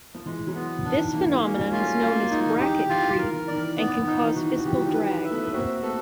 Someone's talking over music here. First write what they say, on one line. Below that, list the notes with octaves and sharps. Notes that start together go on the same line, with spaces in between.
This phenomenon is known as "bracket creep" and can cause fiscal drag.
F3
E3 G#3
E3 F#3
B3
E3 D4
D#3
D#3
E3 A#3
E3 F#3
C#4
F#3 G#3
F4
G3 A3
F#3 G#3 A#3
F#3 G#3
D#4
E3
G4
D#3
D#3
E3 F4
E3
D#3
A#4
E3
D#3 D5
E3
D#3 B3
D#3 F3
D#4
E3
E3 F#4
D#3
F3
E3 G4
F#3
D#3 F3
B4
E5
A3 B3
B3
A#3 C4 F#4
A3 B3 A4